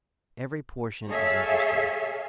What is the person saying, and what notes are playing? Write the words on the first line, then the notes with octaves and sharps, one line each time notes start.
Every portion is interesting.
G#4 A4 C#5 E5 F5